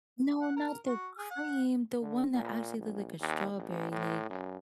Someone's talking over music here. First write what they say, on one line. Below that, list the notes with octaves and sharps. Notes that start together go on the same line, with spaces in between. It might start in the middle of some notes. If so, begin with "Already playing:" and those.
No, not the cream, the one that actually looked like a strawberry like
F#5
A#4
F#4
G#4
F#5
D3
A#2
A#1
D#2
A1
A2
F#2